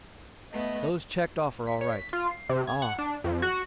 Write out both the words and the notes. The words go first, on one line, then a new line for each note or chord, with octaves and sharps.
"Those checked off are all right."
A3 B3 D#5
B6
C#5
B6
F4
C7
C3
G#6
F#5
D4
F2
F#4